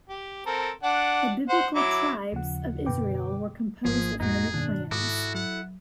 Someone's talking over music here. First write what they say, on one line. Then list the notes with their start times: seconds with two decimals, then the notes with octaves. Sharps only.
The Biblical 'tribes' of Israel were composed of many clans.
0.09 G4
0.46 C4 A4 A#4
0.83 D4 D5 F#5
1.49 C5 F#5
1.75 F#3 E4 D6
2.32 D#2 C#3 F3 F#5
2.86 F#2 B2 D3 B4 G5 D6
3.85 G#1 G#2 F3 A#3 G#4
4.20 F2 A2 D#4 F#4 G#4
4.54 G2 B2 D#3 D4
4.91 G#2 E4 F#4 A4 D6 D#6
5.35 F#3 F#5